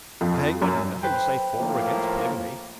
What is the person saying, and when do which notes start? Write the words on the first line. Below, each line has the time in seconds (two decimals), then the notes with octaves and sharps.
I ain't got nothin' to say for or against polygamy.
0.21 F2
0.62 F#2
1.03 B4 C5 G5
1.56 A2 F3 A#3